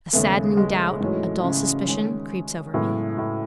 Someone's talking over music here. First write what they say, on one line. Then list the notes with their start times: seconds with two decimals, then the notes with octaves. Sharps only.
A saddening doubt, a dull suspicion, creeps over me.
0.13 D#2 C#3 G#3 A3 B3
0.57 G#3
1.00 G#2 E3 F#3 A3 C#4
1.43 C#3
1.87 D#3 G#3 C#4
2.74 F#2 A2 C#3 G#3 B3
3.18 A2